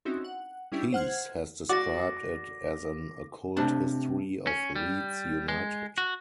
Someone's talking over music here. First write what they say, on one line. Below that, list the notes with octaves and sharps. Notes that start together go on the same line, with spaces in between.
Peace has described it as an "occult history of Leeds United".
C4 C#4 D#4 E4 F#4
F#5
G3 C#4 D4 E4 G4
C5 F#5 F6 G#6
F#4 D5 D6 A#6
C3 A3 D4 A5
C#4
G3
G#3
F#4